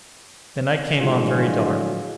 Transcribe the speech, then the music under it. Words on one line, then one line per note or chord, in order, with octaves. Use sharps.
The night came on very dark.
A2 D3 F3 F#3 G#3 F4